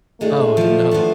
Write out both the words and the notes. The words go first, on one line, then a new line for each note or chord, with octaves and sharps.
Oh, no.
A2 G#3 A3 D4
D2 D3 F3
A2 F3 B3 D4